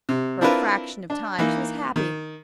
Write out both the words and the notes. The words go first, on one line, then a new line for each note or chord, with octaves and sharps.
For a fraction of time she was happy.
C3
C4 D4 E4 F4 A#4 B4
D4
E3 A#3 D#4
D#3